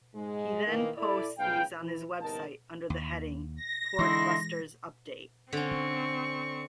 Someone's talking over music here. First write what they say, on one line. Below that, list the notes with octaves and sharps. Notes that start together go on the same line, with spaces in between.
He then posts these on his website under the heading "Porkbusters Update".
G#2 G#3
D#3 E3 A#3
E4 A4 D5
B1 G#2 C#3 B4 F5 G5
E3
G1 E2 C3 D#4 A#4 A5
D#2
A#6
D3 E3 G#3 D#4 E4 C6
D3 C4 C#4 C#6